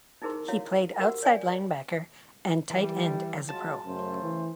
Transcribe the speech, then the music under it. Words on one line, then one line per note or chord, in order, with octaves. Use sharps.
He played outside linebacker and tight end as a pro.
D#4 E4 G#4 A#4 C5 C6
E4 F#4 C#5 F5
F#4 G4 A#4 C5 F#5
C#5 D5 G#5
E3 G3
F#3 G#3 F4 A5
F#2 C#3 A3 C5
E3